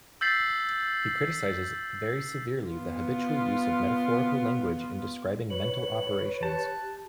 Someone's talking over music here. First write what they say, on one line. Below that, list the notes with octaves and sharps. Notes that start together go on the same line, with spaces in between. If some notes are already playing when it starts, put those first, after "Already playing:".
He criticizes very severely the habitual use of metaphorical language in describing mental operations.
E6 G6 A6 B6 C7 F#7
B3 F4
B4 C#5 F#7
G4 A5 F#6